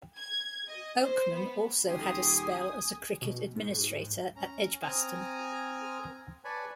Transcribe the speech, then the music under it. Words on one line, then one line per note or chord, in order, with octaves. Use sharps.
Oakman also had a spell as a cricket administrator at Edgbaston.
G#6
D#5
C5
B3
D#1 G4 G#5 C6 D#6
B2
G#2
C#4 A#5
C4 G#5 A#5 D#6 F6
B4 C#5 D5 G#5 A5 B5